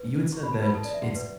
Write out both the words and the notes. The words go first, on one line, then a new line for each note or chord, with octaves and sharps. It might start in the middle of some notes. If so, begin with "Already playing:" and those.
you had said that it's
Already playing: B4
E4 C#6
B5
A5
B4 B5
E4 A4 A5
D5
E5
F#4 F#5
B4